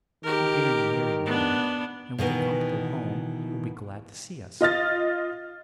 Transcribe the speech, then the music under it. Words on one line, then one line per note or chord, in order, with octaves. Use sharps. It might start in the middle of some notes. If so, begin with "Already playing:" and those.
He being a married man, and with a comfortable home, he will be glad to see us.'
D#3 G4 A#4
B3 D4
B2 D#3 E3 B3
F4 D#5 F6 A6